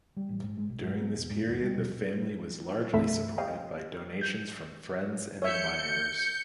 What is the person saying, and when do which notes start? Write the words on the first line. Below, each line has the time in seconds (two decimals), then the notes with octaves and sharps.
During this period the family was largely supported by donations from friends and admirers.
0.17 G3
0.29 A1
0.43 G#2
0.57 G#3
0.69 B1
0.83 G#2
1.00 B3
1.14 E1
1.30 G#2
1.47 D#2
1.62 G3
1.77 B2
2.93 C2 G2 A3 A4 E5 B5
3.38 C5 D#5 F5 G5
4.21 G6
5.42 C#5 E5 G6 C#7